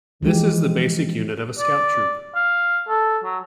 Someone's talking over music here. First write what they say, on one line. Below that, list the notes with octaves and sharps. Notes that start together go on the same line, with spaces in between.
This is the basic unit of a Scout troop.
E3 F3 G#3 G4
D5
F5
A4
F#3